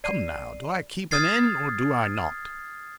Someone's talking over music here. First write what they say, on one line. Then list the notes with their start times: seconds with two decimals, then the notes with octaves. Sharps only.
Come now, do I keep an inn, or do I not?
0.04 D5 C7 D#7
1.11 D#6 F6 G#6 A6 C7